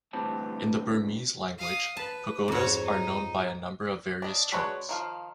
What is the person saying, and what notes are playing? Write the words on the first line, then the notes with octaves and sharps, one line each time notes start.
In the Burmese language, pagodas are known by a number of various terms.
D2 G2 E3 C4 G4 A5
F5 D#6
B4 A5
F2 G#2 F#4 C#5
D#4
D4 D#5
G#3 D4 F#4 B4 C#5
D#3 F3 F5